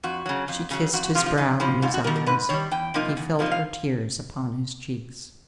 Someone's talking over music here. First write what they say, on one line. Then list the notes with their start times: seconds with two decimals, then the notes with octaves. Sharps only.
She kissed his brow and his eyes; he felt her tears upon his cheeks.
0.03 F2 F#4
0.26 C#3 F#3
0.48 F2
0.71 C#3 F#3
0.93 F2 F#4
1.04 F#4
1.15 C3 F3 F4
1.26 F4
1.38 F2 D#4
1.60 C3 F3 E4
1.82 G#2 F4
1.94 F#4
2.04 G3 A#4
2.07 D#3
2.16 A#4
2.26 G#2 B4
2.49 D#3 G3 C#5
2.71 E2 G5
2.94 C3 F3 A#3 D#4
3.17 E2
3.39 C3 F3 A#3 D#4
3.51 F5